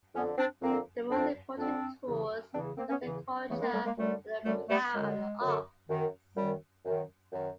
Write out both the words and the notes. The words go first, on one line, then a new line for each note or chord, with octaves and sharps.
The most important tools for the agriculture were the plow and the ox.
F2 D3 B3 C#4
C4 D4
F2 D3 A#3 C4
F2 D3 C4 D4
F2 D3 C4 D4
E2 C#3 E3
E2 C#3 E3 C4 D4
A#3 C4
B3 C#4
E2 C#3 E3
E2 C#3 E3 A3 B3
G#3 A#3
G3 A3
G#3 A#3
F#2 D3 G3 A3
F#2 D3 G3 A3
G3 A3
F#2 D3 G#3
F#2
D3
F#2 D#3
F#2 D#3 G3
F#2 D#3
F#2 D#3